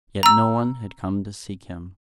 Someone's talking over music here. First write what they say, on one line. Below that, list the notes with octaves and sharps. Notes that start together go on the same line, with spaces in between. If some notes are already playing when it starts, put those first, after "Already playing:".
Yet no one had come to seek him.
A#5 E6